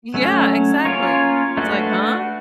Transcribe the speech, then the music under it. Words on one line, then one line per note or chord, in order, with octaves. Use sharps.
Yeah, exactly. It's like, huh?
F#3 A3 C#4
A#3 C#4 F4 A#4 C#5
A3 D4 F#4 B4